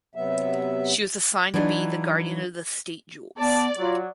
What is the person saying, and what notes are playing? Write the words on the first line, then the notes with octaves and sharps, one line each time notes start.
She was assigned to be the guardian of the state jewels.
C3 F#3 B3 E5
E3 F#3 D4 D#4 F4
B3 D5 A5
F#3 F4